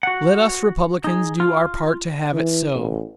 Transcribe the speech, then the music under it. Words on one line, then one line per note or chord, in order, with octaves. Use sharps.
Let us Republicans do our part to have it so.
F#4 F#5
D#4 G#4
F4
E3
A1